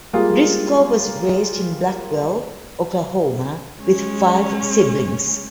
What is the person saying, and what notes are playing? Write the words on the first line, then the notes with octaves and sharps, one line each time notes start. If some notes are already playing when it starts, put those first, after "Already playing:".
Brisco was raised in Blackwell, Oklahoma with five siblings.
G3 G#3 A#3 F4 G#4
G#3 C#4